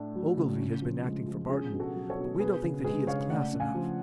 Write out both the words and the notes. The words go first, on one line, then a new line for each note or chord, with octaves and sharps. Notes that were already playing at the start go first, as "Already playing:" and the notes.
Ogilvy has been acting for Barton, but we don't think that he is class enough.
Already playing: A2 A3 D4
F#3
C#3
C#4
F3
G#3
F3
C#4 G#4
B2
F#4 A4
F#3
A4 C#5
B2
B3 G#4 B4
C#3
G#3 G#4 B4
C#3 C#5 F5
A3 D5 F#5
C#4
F5 G#5
F3